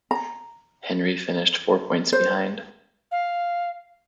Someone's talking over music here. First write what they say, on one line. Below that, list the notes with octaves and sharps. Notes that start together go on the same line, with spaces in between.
Henri finished four points behind.
A#5
C5
F5